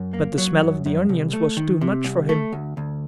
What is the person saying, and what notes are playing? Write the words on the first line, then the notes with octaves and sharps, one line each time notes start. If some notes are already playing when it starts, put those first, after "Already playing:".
But the smell of the onions was too much for him!
Already playing: F#2
A#3
F#3
F#2
F#2
C2
A3
D#3
C3
C2
A3
D2
D2